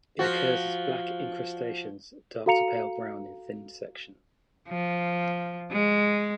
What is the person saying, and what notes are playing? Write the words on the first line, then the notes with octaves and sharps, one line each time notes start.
It occurs as black incrustations, dark to pale-brown in thin section.
F3 F#4
F#4 A4 F5 A#5 C#7 F7
F3
G#3